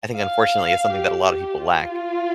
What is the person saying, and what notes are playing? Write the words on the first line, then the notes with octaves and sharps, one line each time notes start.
I think unfortunately it's something that a lot of people lack.
F5
G4
F4